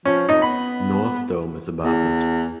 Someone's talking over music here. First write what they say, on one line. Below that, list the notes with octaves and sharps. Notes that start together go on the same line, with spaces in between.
North Dome is above it.
F3 C#4
F2 D#4 D#5
B3 B5
E2